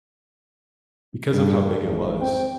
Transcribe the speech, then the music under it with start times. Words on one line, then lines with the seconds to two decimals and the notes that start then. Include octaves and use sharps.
because of how big it was
1.34 G2
1.86 G#1
2.21 C4 G5